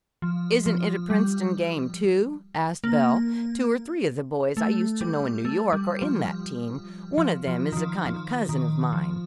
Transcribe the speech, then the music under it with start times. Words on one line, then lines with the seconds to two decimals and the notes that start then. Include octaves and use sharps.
"Isn't it a Princeton game, too," asked Belle, "two or three of the boys I used to know in New York are in that team, one of them is a kind of cousin of mine."
0.22 F3
0.66 F3
1.10 G3
2.84 A#3
4.57 A3
5.01 G3
5.45 A3
5.73 G3
6.02 F3
7.18 F3
7.48 F3
7.72 D#3
7.77 F3
8.06 F3
8.49 D#3
8.93 F3